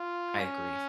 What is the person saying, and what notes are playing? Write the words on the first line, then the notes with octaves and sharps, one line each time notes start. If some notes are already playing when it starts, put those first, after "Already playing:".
I agree.
Already playing: F4
C#4